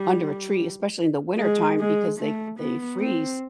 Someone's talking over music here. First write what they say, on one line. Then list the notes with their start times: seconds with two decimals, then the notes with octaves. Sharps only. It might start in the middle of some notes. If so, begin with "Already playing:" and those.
under a tree, especially in the winter time because they they freeze
Already playing: G3
1.38 G#3
1.79 G#3
2.19 A3
2.60 B3
3.00 C4